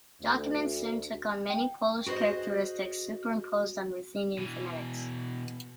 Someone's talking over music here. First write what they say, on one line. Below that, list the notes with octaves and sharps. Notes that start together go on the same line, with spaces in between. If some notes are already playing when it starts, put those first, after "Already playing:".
Documents soon took on many Polish characteristics superimposed on Ruthenian phonetics.
D2
G5
F#4 G#4 A#4 C5 D#5
B2 E3